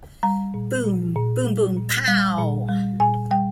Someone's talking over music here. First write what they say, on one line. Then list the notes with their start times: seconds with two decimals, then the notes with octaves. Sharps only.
Boom boom-boom pow!
0.23 G3 A#5
0.54 A#2
0.84 A#2
1.15 A#2
1.46 G3
1.77 A#2
2.07 G3
2.39 A#2
2.69 G3
3.00 A#2 G#5
3.31 G3 G5